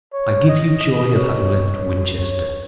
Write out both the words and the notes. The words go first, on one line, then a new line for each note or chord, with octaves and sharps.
I give you joy of having left Winchester.
C#5
D#5
D#5
C#5
C#5